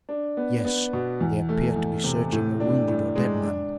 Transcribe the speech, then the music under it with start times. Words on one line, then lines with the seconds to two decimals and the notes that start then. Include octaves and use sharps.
"Yes, they appear to be searching a wounded or dead man."
0.09 D4
0.37 B3
0.65 B3
0.93 B2
1.21 E2
1.49 A3
1.76 E2
2.04 C3
2.32 A2
2.60 D4
2.88 A2
3.16 G#3
3.43 D4